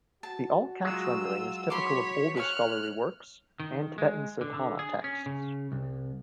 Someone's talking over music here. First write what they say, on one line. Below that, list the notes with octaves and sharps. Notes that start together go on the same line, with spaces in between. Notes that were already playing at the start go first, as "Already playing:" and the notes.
The all-caps rendering is typical of older scholarly works, and Tibetan Sadhana texts.
F#4 A5
F#3 G#3 F4 E6
C#5 B5 C6 D6 B6
C#5 G#5 F6 F#6
D#3
G#3
D3
D3
G#4
C#4
C#3
C2